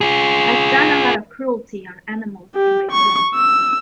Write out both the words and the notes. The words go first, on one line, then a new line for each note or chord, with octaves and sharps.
I've done a lot of cruelty on animals in my films.
F4 G#4
G4
C#6
E6